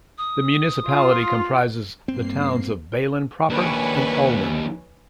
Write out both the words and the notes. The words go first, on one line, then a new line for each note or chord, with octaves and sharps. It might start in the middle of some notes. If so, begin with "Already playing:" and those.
The municipality comprises the towns of Balen proper and Olmen.
D#6
F4
G2 A#3 C4 C7
D#2 D4 B4 C#5 G#5